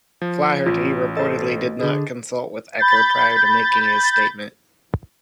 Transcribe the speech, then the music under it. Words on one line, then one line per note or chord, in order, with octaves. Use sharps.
Flaherty reportedly did not consult with Ecker prior to making his statement.
F3
A1 F4
A4 C5 D#5 A6
D3 G#4
B5 G6 A6